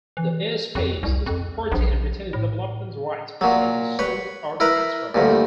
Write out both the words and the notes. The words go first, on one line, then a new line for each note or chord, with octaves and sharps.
The Airspace is property and retains Developmental rights which can be sold or transferred.
E3
F2
C2
F2
A#1
A2
A#2 F#3
B4 C#5
E4 A#4 B4
D2 G2 A#2